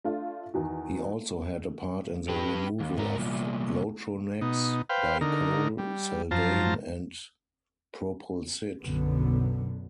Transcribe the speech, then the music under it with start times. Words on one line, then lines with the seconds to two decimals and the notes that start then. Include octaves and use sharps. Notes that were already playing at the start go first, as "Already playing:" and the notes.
He also had a part in the removal of Lotronex, Baycol, Seldane, and Propulsid.
0.05 A3 D4 F4
0.54 E2 D#3 F#4
2.28 G4 B4
2.80 D#2
2.98 G#2 A#4
3.18 C2 A#2
4.41 B2 D#4
4.89 B4 C5 F5 G5
5.21 D3 D#4 A#4
5.78 G3
6.31 F#2 F3 F4 C5 A5 A#5
8.83 B1 F#2 B2 D3 B3